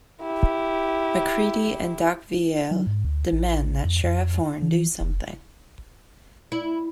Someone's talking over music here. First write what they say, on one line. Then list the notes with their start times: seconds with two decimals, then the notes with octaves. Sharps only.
Macreedy and Doc Velie demand that Sheriff Horn do something.
0.21 E4 G4
2.71 F#3
2.87 G#2
3.05 D2
3.33 A1
3.85 F2
4.04 F2
4.62 E3
5.01 F1
6.52 E4